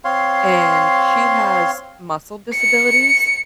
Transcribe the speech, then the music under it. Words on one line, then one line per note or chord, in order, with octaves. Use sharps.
and she has muscle disabilities.
C4 C#5 F5 C6
C#7